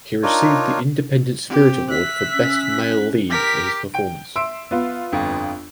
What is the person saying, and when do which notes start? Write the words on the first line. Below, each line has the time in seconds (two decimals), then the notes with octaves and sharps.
He received the Independent Spirit Award for Best Male Lead for his performance.
0.23 D4 D#4 F4 A#4 C#5
1.49 C4 G4
1.90 E5 F#6 B6
2.34 C#4
3.30 G4 A#4 B6
3.94 G5 D7
4.36 E5 C6 E6 D7
4.71 B3 F4
5.12 G1 F2